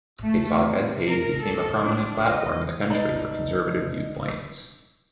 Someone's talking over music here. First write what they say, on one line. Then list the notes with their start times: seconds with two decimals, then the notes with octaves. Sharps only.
Its op-ed page became a prominent platform in the country for conservative viewpoints.
0.23 A3
0.58 C3
1.08 A#4
1.41 A4
1.83 D4
2.26 D#5
2.90 B2 D#4 D5 A5 A#5